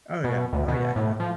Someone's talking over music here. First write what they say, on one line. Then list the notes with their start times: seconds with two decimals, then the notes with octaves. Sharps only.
Oh, yeah. Oh, yeah, yeah.
0.24 B2
0.53 D2
0.68 B2
0.96 A2
1.20 F3